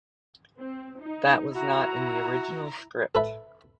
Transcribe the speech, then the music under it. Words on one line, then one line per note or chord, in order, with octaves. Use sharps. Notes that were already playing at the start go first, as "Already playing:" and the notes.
That was not in the original script.
C4
D#4
E4 F#4 A#5
A4 B4 E5